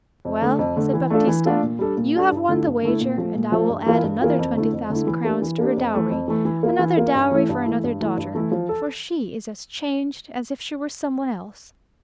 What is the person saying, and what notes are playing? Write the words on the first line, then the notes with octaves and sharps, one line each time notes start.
"Well," said Baptista, "you have won the wager, and I will add another twenty thousand crowns to her dowry--another dowry for another daughter--for she is as changed as if she were someone else."
F2
D3 A3
F2
D3 A3
E3
A3 D4 F4 A4
E3
A3 D4 F4 A4
A#2
G3 D4 A4
A#2
G3 D4 A4
G2
D3 A3 E4
G2
D3 A3 E4
A#2
F3 A3
A#2
F3 A3
G2
E3 A#3 F4
G2
E3 A#3 F4
F2
D3 A3 E4
F2
D3 A3 E4
E3
A#3 D4 G4
E3
A#3 D4 G4
F2
E3 A3
F2
E3 A3
E3
A#3 F4
E3
A#3 F4
G2
E3 A3 E4
G2
E3 A3 E4
G2
E3 A3 E4
G2
E3 A3 E4
F3
A4